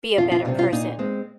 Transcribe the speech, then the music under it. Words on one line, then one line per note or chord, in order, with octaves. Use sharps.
be a better person.
F2 F4
F4
C3 G3 C4 D#4
F4
A#2 D#4
G#3 C4